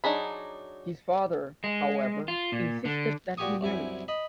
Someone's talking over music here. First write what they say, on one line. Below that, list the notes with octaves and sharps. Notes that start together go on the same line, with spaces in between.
His father, however, insisted that he marry.
F#3 D4 D#4 G#4 B5
G#3
F4
A#2
D3
A#2 F#4 G4 G#5 C#6 D#6
C2 F#2 E4 G#5
D#5 B5